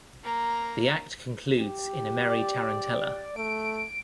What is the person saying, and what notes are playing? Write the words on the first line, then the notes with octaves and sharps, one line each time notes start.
The act concludes in a merry tarantella.
A#3 A#5
G4
D5
A3 D7